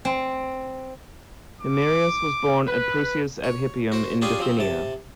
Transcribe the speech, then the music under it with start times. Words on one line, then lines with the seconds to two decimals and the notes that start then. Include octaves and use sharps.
Himerius was born at Prusias ad Hypium in Bithynia.
0.05 C4
1.61 D6
2.67 B4
3.44 C#5
3.92 F#4 C5
4.22 C#4 D4 F4 G4 G#4 G#5
4.39 F3 F#3 C4
4.59 C3 A5